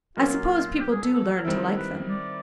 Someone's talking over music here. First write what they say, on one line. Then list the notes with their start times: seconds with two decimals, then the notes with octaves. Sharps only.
I suppose people do learn to like them.
0.17 A#2 F#3 A#3 C#4 F4
0.81 G4
0.92 G#4
1.03 A4
1.14 A4
1.37 A#4
1.45 D#3 G3 C4 E4 A4
1.77 B4
2.09 D5